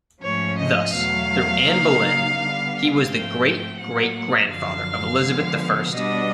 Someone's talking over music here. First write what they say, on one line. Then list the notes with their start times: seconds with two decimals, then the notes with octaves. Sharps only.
Thus, through Anne Boleyn, he was the great-great-grandfather of Elizabeth the First.
0.22 G#2 F3 A3 C#4 C#5
0.58 D#5
0.93 E2 B2 F#3 A3 F5
1.65 C#3 F#3 A#3 D#4
2.36 D3 G3 B3
3.08 G#2 F3 A3 C4 G5
3.79 A2 F#3 A#3 F#5
4.50 F#2 D3 F3 F5
5.22 D3 F3 G#3 B3
5.93 B2 G3 B3 D4 D#5